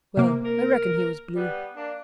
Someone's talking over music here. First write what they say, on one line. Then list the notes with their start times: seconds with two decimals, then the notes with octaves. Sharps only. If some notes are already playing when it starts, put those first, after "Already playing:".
Well, I reckon he was blue.
0.17 C3 A#3
0.45 A#4
1.36 G3 B3
1.76 A#3 D4